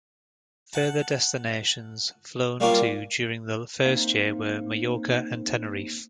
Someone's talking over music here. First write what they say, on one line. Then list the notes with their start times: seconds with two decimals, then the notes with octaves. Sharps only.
Further destinations flown to during the first year were Majorca and Tenerife.
0.73 F#5 A5
2.60 G3 A#3 C#4 D4 F4 C#5
3.85 A#3 C4 D#4 C5 E5 F5